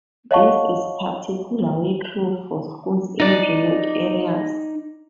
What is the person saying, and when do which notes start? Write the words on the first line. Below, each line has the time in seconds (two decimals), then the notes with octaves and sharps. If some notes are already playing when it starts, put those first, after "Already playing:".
This is particularly true for schools in remote areas.
0.31 C#5 D#5 F5 F#5 A5 C#6
3.20 D#4 D5